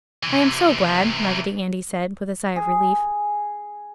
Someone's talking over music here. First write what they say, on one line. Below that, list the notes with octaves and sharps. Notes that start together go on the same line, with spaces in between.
"I am so glad!" Raggedy Andy said, with a sigh of relief.
C3 E3
G#4